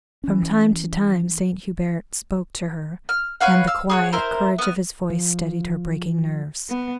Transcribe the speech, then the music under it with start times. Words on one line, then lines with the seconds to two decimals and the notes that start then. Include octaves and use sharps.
From time to time Saint Hubert spoke to her, and the quiet courage of his voice steadied her breaking nerves.
0.24 E3 C#4
3.09 F6
3.41 B4 C#5 F5 F#5
3.67 F5 E6
3.90 G#4 C#5 F#5
4.12 E4 A#4 C5
4.59 B3 F6
5.10 F3
6.69 B3